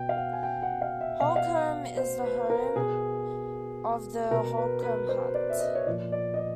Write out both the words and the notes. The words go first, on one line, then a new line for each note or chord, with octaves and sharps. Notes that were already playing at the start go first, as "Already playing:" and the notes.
Holcombe is the home of the Holcombe Hunt.
Already playing: B2 G5
F5
F#5
G#5
G5
F#5
F5
E5
B2 F5
F#5
F5
C5
B4
A#4
B2 G#4
B2 A#4
B4
B4
C5
D5
E5
D#5
C#5
A#2 F3 D5
D5
D#5
D5